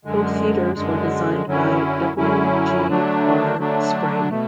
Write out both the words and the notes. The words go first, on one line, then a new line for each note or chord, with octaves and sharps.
Both theatres were designed by W. G. R. Sprague.
F#2 D3 G#3
F#2 D3 G#3
F#2 D3 F#3 C#4 E4
F#2 D3 F#3 C#4 E4
D3 F#3 A3 D4
D3 F#3 A3 D4
B2 A3